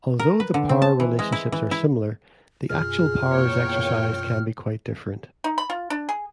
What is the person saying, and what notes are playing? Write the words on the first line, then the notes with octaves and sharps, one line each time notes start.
Although the power relationships are similar the actual powers exercised can be quite different.
A#4
B4
D3
C4
A5
E3
G#3
E4
E3
E4
F#2 B2 F4 G#4 F6
E2 A#3 C#5 G5
D#4
B5
F4
D4
G#4